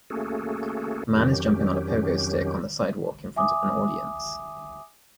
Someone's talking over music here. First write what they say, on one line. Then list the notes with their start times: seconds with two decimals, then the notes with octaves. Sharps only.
A man is jumping on a pogo stick on the sidewalk in front of an audience.
0.10 A3 A#3 C#4 F#4 G#4 A4
1.15 F2 D#3 F#3 C#4 G4
3.36 E5 G#5 D6 D#6